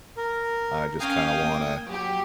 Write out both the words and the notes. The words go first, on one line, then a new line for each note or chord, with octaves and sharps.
I just kinda want a
A#4
C#4 F5 G5 G#5 D#6
A#3
F#3 G4